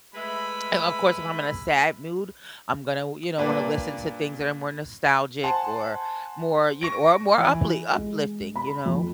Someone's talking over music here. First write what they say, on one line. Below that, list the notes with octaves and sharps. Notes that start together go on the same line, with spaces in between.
um, of course, if I'm in a sad mood, I'm gonna w you know, wanna listen to things that are more nostalgic, or, more, you kn or more upli uplifting, you know?
G#3 A3 B4 E5 B5
G2 A#2 A#3 D4 B4
C5 F#5 G#5 A5 C6
C#6 A#6 D7
E3
G#3
B5
F2